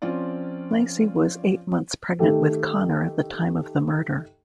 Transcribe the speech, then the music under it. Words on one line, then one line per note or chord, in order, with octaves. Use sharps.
Laci was eight months pregnant with Conner at the time of the murder.
F3 C4 C#4 F4 D5
D#3 A3 G4 A4